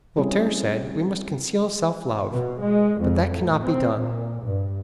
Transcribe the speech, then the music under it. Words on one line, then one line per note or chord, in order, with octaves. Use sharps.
Voltaire said, "We must conceal self-love." But that can not be done.
G3 C4 C#4 E4 G#4
B2
G#3
F2
A2
C4
A#2
G2